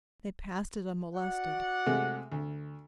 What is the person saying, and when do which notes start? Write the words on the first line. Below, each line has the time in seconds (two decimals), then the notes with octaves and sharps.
They passed it unmolested.
1.16 F#4 D5 F#5
1.86 C3 G#3 A3
2.32 D2